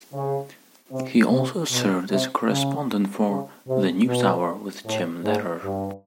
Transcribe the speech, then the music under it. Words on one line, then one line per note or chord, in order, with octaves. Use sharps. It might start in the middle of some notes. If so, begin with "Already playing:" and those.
He also served as a correspondent for "The News Hour with Jim Lehrer".
C#3
C3
C3
B2
C3
C#3
C#3
C3
B2
A2
G#2
G2